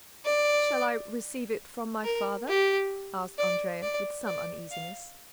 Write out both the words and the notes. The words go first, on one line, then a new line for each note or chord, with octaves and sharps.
"Shall I receive it from my father?" asked Andrea, with some uneasiness.
D5
A#4
G4
D5
D5
D5
F5